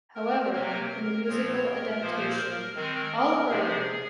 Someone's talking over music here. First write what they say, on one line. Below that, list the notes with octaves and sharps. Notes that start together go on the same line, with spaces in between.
However, in the musical adaptation, Oliver!
A#4
C3 F#3 A#3 A#4
A#2 F3 C4 C#5
A#4
A#2 F3 A#3 C5
A#4
D#3 G#3 C4 A#4
C3 F3 G#3 G#4